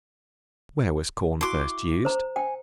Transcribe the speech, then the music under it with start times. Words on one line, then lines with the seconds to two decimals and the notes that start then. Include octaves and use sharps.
Where was Corn first used?
1.41 E4 F#4 C6 D6
2.05 C5 A#5
2.36 G5 G#5